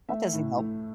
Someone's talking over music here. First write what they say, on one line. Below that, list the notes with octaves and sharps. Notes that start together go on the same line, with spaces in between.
That doesn't help.
A3 E5
A2
A3